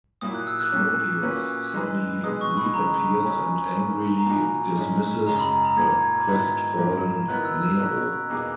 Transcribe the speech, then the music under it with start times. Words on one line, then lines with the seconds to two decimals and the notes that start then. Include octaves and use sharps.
Claudius suddenly reappears and angrily dismisses the crestfallen Nero.
0.21 A#2 F#3 A#3 E4 D#6
0.34 F#6
0.47 E6
0.60 F#6
0.72 A#2 F#3 C#4 F#6
1.22 A#2 A#3 C#4 F#4 B4
1.74 E3 G#3 D#4 G#4 B4
2.24 B2 G#3 D#4 G#4 B4 D#6
2.41 C#6
2.57 B5
2.74 C#3 E3 G#3 A#5
3.00 A#5
3.25 D#3 F#3 C#4 G#5
3.75 E3 A#3 C#4
4.18 A#5
4.25 A#2 A#3 D#4 F#4 G#5
4.76 G#2 D#3 G#3 C#4 E4
5.26 F#2 C#3 G#3 A#5
5.40 B5
5.51 A#5
5.65 A#5
5.77 A#2 A#3 D#4 G#6
6.02 G#6
6.28 G#2 D#3 F#3 B3 E4
6.78 G#2 D#3 A#3
7.28 D#3 F#3 B3 E4 A#4 F#6
7.45 E6
7.61 E6
7.79 B2 A#3 C#4 F#4 A#4 F#6
8.29 E2 B2 A#3 D#4 G#4